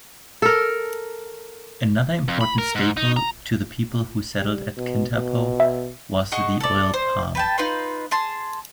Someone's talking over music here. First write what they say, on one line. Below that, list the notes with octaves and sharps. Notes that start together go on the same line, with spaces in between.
Another important staple to the people who settled at Kintampo was the oil palm.
A4 A#4
F2
B5
A#4
G#2
D#4
A#5
G3
B2
B2
E5
F#4 G#4 D#5 C#6
A4 D5
C5
B4 G5 A5
D#4 F4 B4 C6
G#4 A5 C6